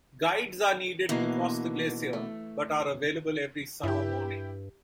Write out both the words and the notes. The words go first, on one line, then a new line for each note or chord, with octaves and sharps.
Guides are needed to cross the glacier, but are available every summer morning.
B2 D3 E3 A#3 A#5
A3
G2 E4 G4